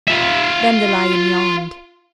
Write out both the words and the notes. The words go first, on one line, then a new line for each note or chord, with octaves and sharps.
Then the lion yawned.
F4 E5